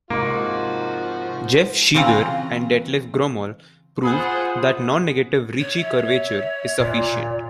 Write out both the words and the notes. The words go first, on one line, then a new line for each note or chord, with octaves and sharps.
Jeff Cheeger and Detlef Gromoll proved that non-negative Ricci curvature is sufficient.
G#2 C3 F3 A#3 D#4 F#4
C#3 E3 C4 F4 A#5
F4 G#4 C5 F#5 B5 D#6 F#6
C#5
E5
A#2 D5